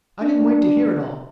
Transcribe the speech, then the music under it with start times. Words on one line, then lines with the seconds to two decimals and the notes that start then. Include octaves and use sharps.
I didn't wait to hear it all.
0.22 D4